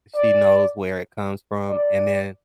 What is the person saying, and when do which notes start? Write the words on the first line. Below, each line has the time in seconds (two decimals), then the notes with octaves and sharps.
she knows where it comes from, and then
0.16 D5
1.70 D5